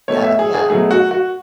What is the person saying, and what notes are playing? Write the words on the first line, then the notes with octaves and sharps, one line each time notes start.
Yeah, yeah.
B2 A3 C#5
E5
G#4
G#4
B2 F#3 A3 G#4
F#4
F#4